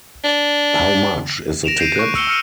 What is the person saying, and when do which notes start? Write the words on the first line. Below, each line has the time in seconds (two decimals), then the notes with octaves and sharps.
How much is the ticket?
0.24 D4
1.64 A#6 D7 E7 F7
1.79 G6 C7 D7 D#7
1.96 C#6 F#6
2.15 E6 C#7 G7
2.28 E6 F6 C#7 D#7